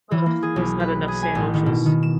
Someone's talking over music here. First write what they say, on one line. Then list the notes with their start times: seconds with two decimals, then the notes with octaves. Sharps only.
uh, there's not enough sandwiches
0.11 E3
0.26 A#3
0.42 G#4
0.56 B1
0.80 B4
1.08 G#4
1.23 G#5
1.35 A1
1.54 D#3
1.66 B2
1.86 D#3
2.03 E7